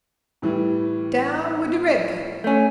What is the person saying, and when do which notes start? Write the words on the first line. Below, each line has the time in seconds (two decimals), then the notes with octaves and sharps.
Down wid de redcoats!
0.42 A2 E3 G3
2.44 A3 C#4